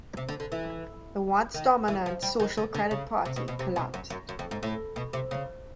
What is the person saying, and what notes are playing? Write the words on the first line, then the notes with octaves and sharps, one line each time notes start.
The once-dominant Social Credit Party collapsed.
C3
D3
D3
E3
D#3
E3
F3
G3
D#3
D3
D3
C#3
C3
B2
B2
C3
B2
F#2
F#2
F#2
F2
G#2
A2
B2
C3
C#3